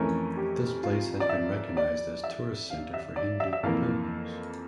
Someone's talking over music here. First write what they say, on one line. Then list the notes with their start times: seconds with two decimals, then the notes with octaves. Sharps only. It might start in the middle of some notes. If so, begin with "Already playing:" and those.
This place has been recognised as tourist centre for Hindu pilgrims.
Already playing: F2 E3 A3 C#4 A#4
0.37 G4
0.83 F4
1.20 D5
1.29 E5
1.77 D5
2.24 E5
2.70 F5
2.94 E5
3.16 D5
3.40 E5
3.53 E5
3.63 F2 E3 A#3 E4 A#4 F5